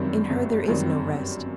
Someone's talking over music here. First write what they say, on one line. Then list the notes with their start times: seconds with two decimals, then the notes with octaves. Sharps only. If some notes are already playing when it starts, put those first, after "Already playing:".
In her there is no rest.
Already playing: G1 F#2 D#3 G3 C4
0.30 G1
0.68 F#2 D#3 G3 C4